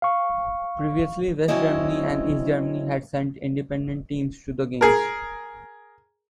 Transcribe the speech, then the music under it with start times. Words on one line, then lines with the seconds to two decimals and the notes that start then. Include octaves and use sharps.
Previously, West Germany and East Germany had sent independent teams to the Games.
0.02 F5 C#6
1.48 D2 F#3 C4 C#4 E4 D#5
4.81 G#4 A#4